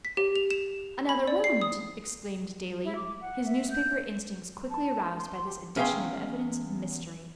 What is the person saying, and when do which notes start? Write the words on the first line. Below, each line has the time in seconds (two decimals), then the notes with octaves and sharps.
"Another wound!" exclaimed Daley, his newspaper instincts quickly aroused by this addition of evidence of mystery.
0.05 B6
0.17 G4
0.36 F7
0.51 E7
1.09 B5
1.27 D5
1.44 C7
1.61 D#6
2.84 E4
2.95 D6
3.21 F#5
3.45 E5
3.70 G6
4.70 A5
5.18 C6
5.45 G4
5.76 E2 C#4 G#4 F5 G5 C6